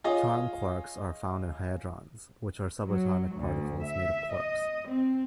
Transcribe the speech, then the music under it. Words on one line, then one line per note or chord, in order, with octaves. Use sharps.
Charm quarks are found in hadrons, which are subatomic particles made of quarks.
F4 G#4 C#5 D#5
F#3
D2
E5
D#5
C4